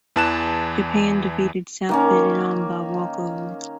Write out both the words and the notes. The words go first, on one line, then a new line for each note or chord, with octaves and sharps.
Japan defeated South Vietnam by walkover.
E2 E3 A5 F#6 E7
D#3 A#3 C#4